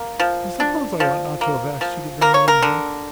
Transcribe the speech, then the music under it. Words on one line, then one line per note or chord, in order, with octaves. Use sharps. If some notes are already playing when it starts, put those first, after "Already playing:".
I suppose I ought not to have asked you to bring me in here.
Already playing: A#3
F3
D4
F3
A#3
F3
A#3 A#4
C#5
A#4
D3